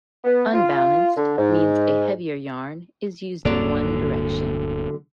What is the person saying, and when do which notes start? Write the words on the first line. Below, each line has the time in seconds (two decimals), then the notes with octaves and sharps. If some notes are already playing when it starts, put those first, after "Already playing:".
Unbalanced means a heavier yarn is used in one direction.
0.24 B3
0.53 F4
1.16 D3
1.38 G#2
3.45 D1 G2 D3 F#3 A#3 D5